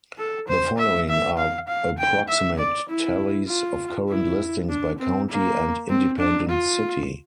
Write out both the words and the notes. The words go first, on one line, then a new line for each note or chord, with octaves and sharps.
The following are approximate tallies of current listings by county and independent city.
A4
C5
E5
E5
F5
F5
G5
E5
D5
E4
F4
E4
D4
C4
A#3
C4
D4
F4